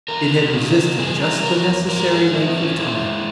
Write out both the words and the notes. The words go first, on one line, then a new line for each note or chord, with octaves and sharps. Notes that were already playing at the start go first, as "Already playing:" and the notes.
It had resisted just the necessary length of time.
E2 A#4
C#3
G3 G#4
A#4
E2 A#4
G#2 A#4
G#4
E3 E4
B3
C#4
G#3 E4